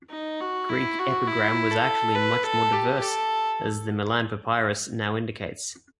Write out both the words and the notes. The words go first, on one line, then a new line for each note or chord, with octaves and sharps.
Greek epigram was actually much more diverse, as the Milan Papyrus now indicates.
D#4
F#4
E4
F#4
E4
A4
B4
A4
G4
A4